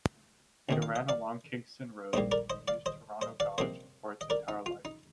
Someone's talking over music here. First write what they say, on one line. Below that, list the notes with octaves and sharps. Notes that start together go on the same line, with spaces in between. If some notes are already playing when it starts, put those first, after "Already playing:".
It ran along Kingston Road and used Toronto gauge for its entire life.
D2 C3 D#3
F5
D#5
D5 F5
A#1 G#2 G3 A#3 C5 D#5
A#4 D5
C5 D#5
D5 F5
C5 D#5
C5 D#5
D5 F5
C3 F3 A#3 C5 D#5
D#5
A#4 D5
D#4
F4
D#4